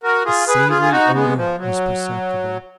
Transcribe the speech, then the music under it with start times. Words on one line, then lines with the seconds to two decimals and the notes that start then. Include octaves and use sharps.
The savoury odour was perceptible.
0.03 F#4 A#4
0.25 F4 G#4
0.48 G#4 B4
0.69 F4 G#4
0.82 G#4
0.92 D#4 F#4
1.14 G#3 B3
1.36 F3
1.58 F#3